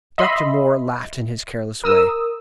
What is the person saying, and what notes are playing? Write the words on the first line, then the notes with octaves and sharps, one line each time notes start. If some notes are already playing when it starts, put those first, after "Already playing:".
Dr. Moore laughed in his careless way.
D#5 E5 B5 C6
A#4 D#6 E6